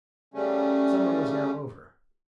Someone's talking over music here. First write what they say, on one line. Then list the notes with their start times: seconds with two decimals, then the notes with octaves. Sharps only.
Summer was now over.
0.34 C#3 G3 A3 C#4